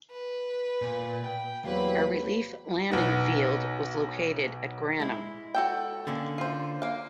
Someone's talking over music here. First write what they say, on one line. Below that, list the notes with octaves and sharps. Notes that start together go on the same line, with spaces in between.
A relief landing field was located at Granum.
B4
A#2
G5
E2 C3 F#3 A#3 B4 B5
B1 B3 D#4
G#3 E4
F#4 A4 G5
D3 A#3 C#4
F4 C5
A#3 F5